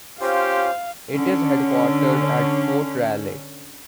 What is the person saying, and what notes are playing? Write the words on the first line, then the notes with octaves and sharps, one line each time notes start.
It is headquartered at Fort Raleigh.
C#4 F4 G4 C5 F5
D3 C#4